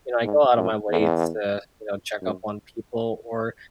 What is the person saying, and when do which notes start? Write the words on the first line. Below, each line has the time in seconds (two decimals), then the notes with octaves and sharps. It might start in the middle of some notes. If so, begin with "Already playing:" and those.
you know, I go out of my way to, you know, check up on people, or
0.24 G#2
0.57 F#2
0.90 E2
2.22 F#2